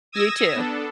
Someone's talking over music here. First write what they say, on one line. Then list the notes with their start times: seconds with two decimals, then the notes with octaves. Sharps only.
You too.
0.12 D#6 E6 G#6 A#6 E7
0.54 B3 D4 A4